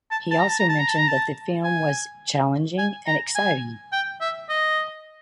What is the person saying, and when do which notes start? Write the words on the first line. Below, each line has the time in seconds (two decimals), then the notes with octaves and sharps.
He also mentioned that the film was "challenging" and "exciting".
0.11 A5
0.31 A5
0.40 A#5
0.50 A5
0.60 A#5
0.69 A5
0.79 A#5
0.88 A5
0.98 A#5
1.08 A5
1.64 G#5
2.78 G#5
3.07 A#5
3.35 G#5
3.92 G5
4.21 E5
4.49 D#5